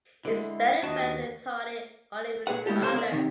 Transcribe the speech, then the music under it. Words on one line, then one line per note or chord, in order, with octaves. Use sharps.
Its belly fur is tawny olive in color.
D3 G#3 E4
D#2 D4 F#4 D#5 A5
A#2 G#4 B4 F#5
G#3 A3 E4 F4 G4 A4
C3 C4 A4 C5 C#5 C6
B3 A#4 D5
C3 D#3